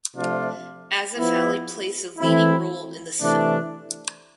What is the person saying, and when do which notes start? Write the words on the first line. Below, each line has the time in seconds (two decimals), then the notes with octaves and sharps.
Asif Ali plays the leading role in this film.
0.14 C3 F3 A3 D4 F4
1.16 F3 B3 E4
2.18 E3 A3 C4 E4
3.20 C3 E3 A3 D4